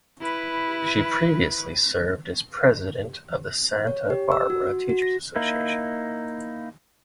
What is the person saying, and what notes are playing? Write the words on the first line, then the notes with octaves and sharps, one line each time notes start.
She previously served as President of the Santa Barbara Teachers Association.
E4 B4
C#5
G4
E6
F#4
F#4
A#6
A#3 D#4 E4